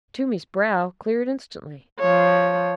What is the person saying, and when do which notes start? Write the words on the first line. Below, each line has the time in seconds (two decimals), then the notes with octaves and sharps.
Toomey's brow cleared instantly.
1.99 F3 C#5